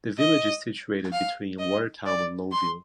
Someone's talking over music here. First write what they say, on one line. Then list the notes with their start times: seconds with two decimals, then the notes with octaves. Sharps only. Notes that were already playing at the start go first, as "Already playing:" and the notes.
The village is situated between Watertown and Lowville.
0.19 D#5
1.12 F5
1.59 D#5
2.06 D5
2.52 C6